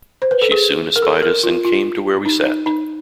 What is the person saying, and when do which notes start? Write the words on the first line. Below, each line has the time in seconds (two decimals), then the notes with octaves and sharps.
She soon espied us and came to where we sat.
0.22 C5
0.31 B4
0.42 A4
0.52 G#4
0.96 A#4
1.02 A4
1.23 A#4
1.43 F4
1.64 F4
2.26 D#4
2.45 D#4
2.66 D#4